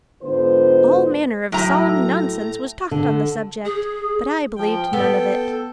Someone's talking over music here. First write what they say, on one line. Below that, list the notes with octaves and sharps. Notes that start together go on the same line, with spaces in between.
All manner of solemn nonsense was talked on the subject, but I believed none of it.
G#2 D3 B3 F4 C5
A2 F#3 A#5
D3
G#4
F3 G5
B3 A4